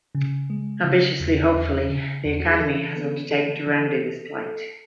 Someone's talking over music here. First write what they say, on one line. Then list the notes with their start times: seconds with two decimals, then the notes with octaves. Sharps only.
Ambitiously, hopefully, the Academy has undertaken to remedy this plight.
0.15 C#3
0.50 G#3
0.84 C#3
1.20 E2
1.54 E2
1.89 C#3
2.25 E2
2.40 F#4
2.51 G#4
2.60 E3 A4
2.96 B3
3.31 E3 A4
3.67 E3